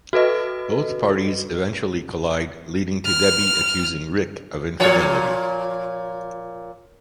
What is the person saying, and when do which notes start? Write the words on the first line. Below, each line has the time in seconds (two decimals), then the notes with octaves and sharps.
Both parties eventually collide leading to Debbie accusing Rick of infidelity.
0.13 F#4 A4 B4 D#5
3.06 F6
4.80 A#2 F3 C#5